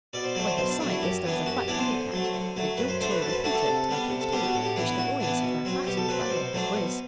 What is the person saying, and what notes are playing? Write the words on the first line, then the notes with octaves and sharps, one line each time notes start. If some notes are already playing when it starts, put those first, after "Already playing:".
By her side there stands a fat tabby cat, with a gilt toy-repeater tied to its tail, which "the boys" have there fastened by way of a quiz.
B2 D5
C5
F#3 A3 D5
C5
B2 C5
D4
F#3 A3 D4
E4
F#2 G4
E3 B3 D4
F#2 F#4
G4
E3 B3 D4 D5
C5
D3
F#3 A3
D3
F#3 A3
F#2 B4
C5
D3 A3 D4 C5
B4
F#2 A4
C5
B4
D3 A3 D4 F#4
A4
C3 A4
G3 B3 D4
C3
A4
G3 B3 D4 G4
F#4
A2 A4
G4
E3 B3 D4
E4
A2 F#4
E3 B3 D4
B2
F#3 C4
B2 G4
A4
F#3 C4 B4
D5
B2 C5
F#3 A3 D4
B2